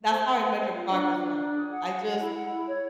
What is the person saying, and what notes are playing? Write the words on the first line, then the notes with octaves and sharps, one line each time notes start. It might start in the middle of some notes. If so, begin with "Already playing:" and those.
that's how I measure progress now. I just
C5
E5
E5
C5
F4
D4
F4
D4
D4
G#4
F#5
F#5
F#5
E4
F#5
E4
C#5